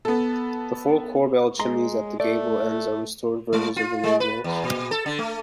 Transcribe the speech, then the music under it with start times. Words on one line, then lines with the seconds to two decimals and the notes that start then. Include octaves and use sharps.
The four corbelled chimneys at the gable-ends are restored versions of the originals.
0.05 B3 A4
1.60 G#3 A#5 C6
2.20 A3 D5
3.53 G#3
3.76 F4
4.04 G#3
4.20 B4
4.44 E2
4.64 A#2
4.91 A4
5.06 D3
5.19 A3